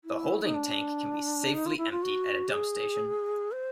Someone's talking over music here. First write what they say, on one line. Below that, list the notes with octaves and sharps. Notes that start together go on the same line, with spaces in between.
The holding tank can be safely emptied at a dump station.
E4
D#4
D4
D#4
F4
E4
F4
F#4
G4
G#4
C5